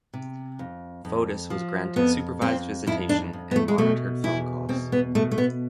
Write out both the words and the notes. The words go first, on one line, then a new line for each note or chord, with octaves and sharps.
Fotis was granted supervised visitation and monitored phone calls.
C3
F2
F2
F3
F2 B3
F2 C4
F2 E4
D4
F2
B3
A3
G#3
B2 A3
E2 E4
B2 C4
B3
B2 A3
A3
B3